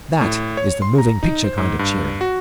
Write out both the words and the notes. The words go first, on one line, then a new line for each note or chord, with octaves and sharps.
That is the moving picture kind of cheering.
A2
C#5
C6
A#5
D#4
C5
G#2
G2
F#4